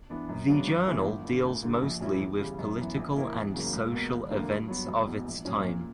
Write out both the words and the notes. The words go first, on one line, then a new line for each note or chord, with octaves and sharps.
The journal deals mostly with political and social events of its time.
E3 B3 D4
F#2
C#3 F#3 B3 D4
G1
G2 E3 A#3
G1
G2 D3
D2
D3 G3 A#3
A#1
A#2 G3 C#4 E4
E2
C#3 G3
F#2
E3 B3
A#1
A#2 A#3 E4
E2
C#3 F#3 A#3
C#2
B2 A#3
E1
D2 D3 A#3
G2
F#3 B3
E1
E2 B2
A#1
A#2 F#3 C#4
A#2